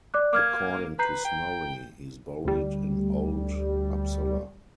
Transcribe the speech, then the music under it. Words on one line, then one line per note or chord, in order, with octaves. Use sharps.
According to Snorri, he is buried in Old Uppsala.
D5 D6 F#6
A#3 D6 F6 G#6
B4 A#5 G6 C7
G5
D2 G3